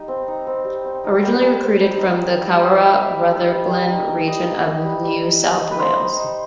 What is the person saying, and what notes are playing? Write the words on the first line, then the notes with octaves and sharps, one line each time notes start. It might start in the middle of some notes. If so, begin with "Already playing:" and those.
Originally recruited from the Corowa-Rutherglen region of New South Wales.
Already playing: G3 D#4
C4
D#4
C4
G3
C4
D#4
G3 G5
G3 A5
C4
D#4
D#4
D#4
G3
G3
D#4 E5
D#4
G3
D#4
G3
G3
D#4
D#4
G3 D#5
D#4
D#4
G3
G3
D#4
D#4
D#4
B4
D#4 C5
D#4
D#4